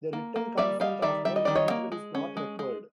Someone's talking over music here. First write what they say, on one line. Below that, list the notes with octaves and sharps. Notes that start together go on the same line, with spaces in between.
The written consent of the individual is not required.
A#3
A#3
G3 D5 E5
G3 D#5 F5
D#3 D5 E5
G3 E5
D#5
D#3 D5
C#5 D#5
A#3
G#3
C#4
G#3
G#3